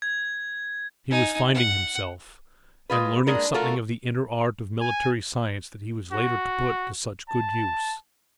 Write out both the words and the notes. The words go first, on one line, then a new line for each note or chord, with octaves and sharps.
He was finding himself, and learning something of the inner art of military science that he was later to put to such good use.
G#6
D#4 G#5
F#5
G#3 F4 B4
G#3 A#3 D4 A#4
A3 F4 F#4 A4 A#4
G#5
F#4
A5